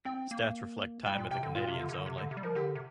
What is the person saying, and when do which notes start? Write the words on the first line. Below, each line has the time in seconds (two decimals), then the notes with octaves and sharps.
Stats reflect time with the Canadiens only.
0.05 C4 G5
0.31 A#3
1.06 G3 G5
1.18 A#2
1.31 C3 G5
1.43 D3
1.55 A#2 F4
1.68 C3
1.80 D3
1.89 C3
1.93 D3
2.06 C3
2.18 D3
2.31 C3
2.37 G3
2.43 F3 A#4
2.55 D3 G4
2.75 C3